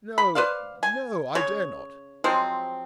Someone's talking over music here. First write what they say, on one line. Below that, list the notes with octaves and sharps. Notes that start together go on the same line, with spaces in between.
"No--no, I dare not."
B5
B4 C5 D5 F5
G#5
C#3 C#5
F3 F#3 G#3 C4